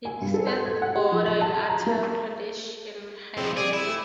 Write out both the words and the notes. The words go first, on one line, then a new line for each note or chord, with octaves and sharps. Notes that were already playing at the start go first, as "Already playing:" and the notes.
It is at Border of Uttar Pradesh and Haryana.
G#5
G2
A4
C5
G#6
F#5
G4
F3
F#7
A5
A#5
A#3
F2 A2 C4
G#4 D5
E4
A3